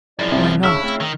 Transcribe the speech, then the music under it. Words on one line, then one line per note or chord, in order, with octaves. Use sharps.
"Why not?"
F#2 F3 G#3 E4 D5
C2
C#3 D4 E4 C#6 E6 F6
C#3 A3 C4
D#3